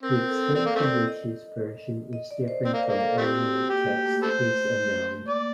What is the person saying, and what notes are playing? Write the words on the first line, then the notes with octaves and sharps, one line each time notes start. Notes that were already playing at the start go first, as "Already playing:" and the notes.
The extent to which his version is different from earlier texts is unknown.
C4 A#4
A4
C4 D5
A#3
A3 C4
D#5
D#5
D5
C5
C4 D5
A#3
A#4
A#3
A4
A3 C4 G4
F#4
A#3 G4
A#3
A3
A4 C5
A#3 D5